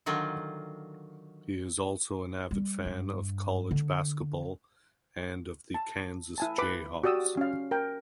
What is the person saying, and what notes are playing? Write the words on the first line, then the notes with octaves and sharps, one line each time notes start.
He is also an avid fan of college basketball and of the Kansas Jayhawks.
D3 D#3 F#3 F4
G3
G2
D3
A5
E4 G#5 A5
B4 B5 D6
F#4 G4 D5 D#6 E6
C#4 F5
A#4 G5